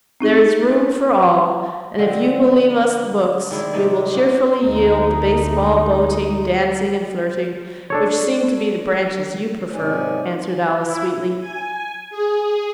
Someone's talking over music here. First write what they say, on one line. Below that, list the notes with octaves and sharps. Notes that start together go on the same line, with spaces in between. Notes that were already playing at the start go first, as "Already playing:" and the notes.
'There is room for all; and if you will leave us the books, we will cheerfully yield the baseball, boating, dancing, and flirting, which seem to be the branches you prefer,' answered Alice sweetly.
C4 D#4 G#4
D3 F3 C4
D#3 G#3 D4 E4
C3 G#3 D#4 D5
C#4 D4 E4 F#4
D2 D#4
D4 A4 C#5
G#2 C3 C#4 D#4 D5 G#5
E4
G#5
G#4